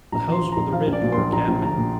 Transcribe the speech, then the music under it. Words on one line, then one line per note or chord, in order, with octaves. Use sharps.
'The house with the red door, cabmin.
A#1 A#5
F3 C6
F3
A#1 A#5
F3 F5
A#1
D5
A#2
A#1 C6
A#1 A#5
A#1
A#2 A#5
A#2